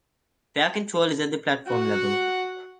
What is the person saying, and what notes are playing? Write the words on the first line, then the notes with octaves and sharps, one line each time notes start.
Fare control is at the platform level.
F#4 F#5